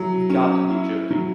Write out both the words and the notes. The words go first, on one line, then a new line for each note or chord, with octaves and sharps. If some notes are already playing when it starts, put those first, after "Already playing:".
You’ve got to be joking.
Already playing: F#3 E4
C#4
E4
F#3